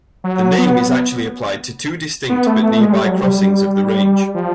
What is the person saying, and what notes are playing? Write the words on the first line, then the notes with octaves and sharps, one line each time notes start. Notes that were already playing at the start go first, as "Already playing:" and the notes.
The name is actually applied to two distinct but nearby crossings of the range.
F#3
B3
B3
A3
A3
G#3
G3
F#3
G3
F3